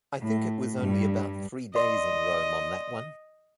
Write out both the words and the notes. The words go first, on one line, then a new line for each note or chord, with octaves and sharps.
I think it was only about three days in Rome on that one.
A2
G2
D5 D#5 C6